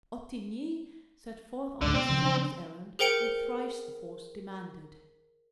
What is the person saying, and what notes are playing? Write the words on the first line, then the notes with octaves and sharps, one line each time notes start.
Ottigny set forth on this fool's errand with thrice the force demanded.
C#2 G#2 D3
B2 C4
C#3 E3 F3
G#4 A#4 C5 G5 C#7 D7